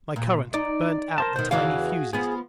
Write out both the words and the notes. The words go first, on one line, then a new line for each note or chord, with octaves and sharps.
My current burned out the tiny fuses.
A#2
D#4 D5
A#4 C5 A5
B2 D#3 C5
E2 C#3 E3 F#4 G#4 F5
F3 B3 G#4